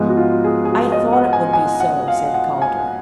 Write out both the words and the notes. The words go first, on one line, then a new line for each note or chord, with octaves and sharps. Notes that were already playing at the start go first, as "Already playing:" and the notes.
"I thought it would be so," said Calder.
Already playing: G#2 F3 G#3 B3
F#4
F4
G#4
G#4
F#4
D#5
F#5
G#5
G#5
F#5
F5
F#5
G#5